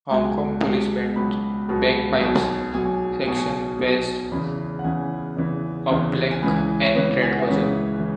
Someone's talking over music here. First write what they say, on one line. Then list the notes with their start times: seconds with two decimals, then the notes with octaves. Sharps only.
Hong Kong Police Band bagpipes section wears a black and red version.
0.11 C#2 B2 F#3 G#5
0.63 C#2 B2 F#3
1.16 C#2 B2 F#3 B5
1.69 C#2 B2 F#3
2.21 B1 B2 F#3 G#5
2.74 B1 B2 F#3 G#5
3.26 B1 B2 F#3 G#5
3.79 B1 B2 F#3
4.32 E2 C#3 E3 B5
4.79 F#5
4.84 E2 C#3 E3 G#5
5.37 E2 C#3 E3
5.90 E2 C#3 E3
6.31 G#5
6.42 C#2 C#3 E3 B5
6.56 G#5
6.82 C#5
6.95 C#2 C#3 E3 B4
7.22 G#5
7.31 F#5
7.39 E5
7.47 C#2 C#3 E3 C#5
8.00 E3